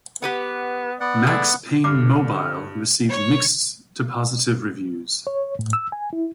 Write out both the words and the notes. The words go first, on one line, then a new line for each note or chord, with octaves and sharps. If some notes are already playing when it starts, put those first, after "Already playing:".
"Max Payne Mobile" received mixed to positive reviews.
B3 G4 B4 F#5
B3 D5 F#5
G#3 A3 D5
G2 D3 D6 F6 C7
C#5
C#5
A2
E6
G#5
E4